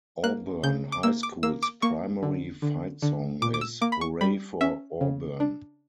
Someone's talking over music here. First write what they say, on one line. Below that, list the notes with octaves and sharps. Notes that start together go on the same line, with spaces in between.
Auburn High School's primary fight song is "Hooray for Auburn!".
A#3 F#6
C#3 G6
D6
A#3 E6
D6
A#3 E6
D6
A#3 C#6
D3
D3
D3
A#2 D6
D6
E6
A#3 D6
B5
C#6
G3 B5
C#4 E5
C#3
D4